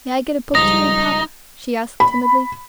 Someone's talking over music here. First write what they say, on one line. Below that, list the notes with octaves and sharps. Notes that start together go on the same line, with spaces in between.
"May I get a book to read, papa?" she asked timidly.
C#2 F3 G3 D#4 D#6 A#6 F7
B5